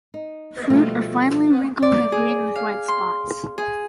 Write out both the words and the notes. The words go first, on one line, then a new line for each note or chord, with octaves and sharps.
The fruit are finely wrinkled and green with white spots.
D#4
B2 F3 G3 A3 F4
D5
G#4
F5
C6
G#4